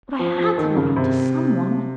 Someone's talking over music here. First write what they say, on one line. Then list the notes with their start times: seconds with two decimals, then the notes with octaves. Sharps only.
But I had to let off to some one.
0.19 F3
0.38 F3
0.58 D#3
0.76 C#3
0.96 C3